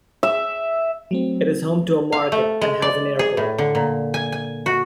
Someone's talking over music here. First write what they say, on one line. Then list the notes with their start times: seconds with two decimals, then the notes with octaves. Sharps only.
It is home to a market and has an airport.
0.23 E5
1.11 F#3 A3 C4
2.12 F5
2.32 A3
2.61 G#3
2.82 D5
3.19 G#4
3.37 A2
3.58 D3
3.75 A#2
4.14 G#5
4.32 G#5
4.66 F#4